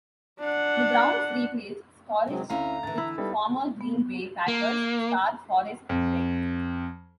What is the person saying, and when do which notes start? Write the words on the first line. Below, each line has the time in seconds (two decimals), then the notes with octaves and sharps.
The Browns replaced Skorich with former Green Bay Packers star Forrest Gregg.
0.40 D4 F#5
2.28 C3 D#3 F#3 G#3 C4
2.50 D2 C4 C#4 E4 F5 A#5
2.83 D3 E3 A6
2.98 E4
3.18 G3 B3 D#4 A4
3.81 B3
4.48 A#3
5.89 F2